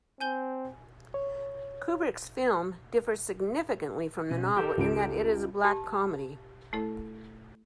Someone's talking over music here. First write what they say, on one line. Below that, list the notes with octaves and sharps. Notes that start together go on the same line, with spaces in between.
Kubrick's film differs significantly from the novel in that it is a black comedy.
C4 G#5 G6 G7
C#5
B2 C#4
G4 A4 A#4 G6
C#2 D7
G4 A5
A3 E4 A4